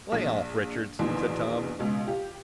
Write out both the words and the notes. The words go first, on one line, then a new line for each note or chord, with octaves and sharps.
"Lay off, Richards," said Tom.
A#1
A#1 E2 B2 D#3 C6
C#2 B2
F4 G4